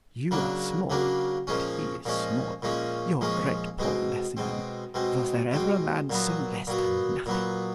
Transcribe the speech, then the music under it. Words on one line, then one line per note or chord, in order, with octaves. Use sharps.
You are small, but he is smaller,--your great Paul Lessingham!--Was there ever a man so less than nothing?'
C#3 F#3 A#3 D4
C#3 F#3 A#3 D4
A#2 F3 G#3 C#4
A#2 F3 G#3 C#4
A#2 F3 G#3 C#4
A#2 F3 G#3 C#4
B2 G#3 C4
B2 G#3 C4
B2 G#3 C4
B2 G#3 C4
A#2 F#3 B3
A#2 F#3 B3
A#2 F#3 B3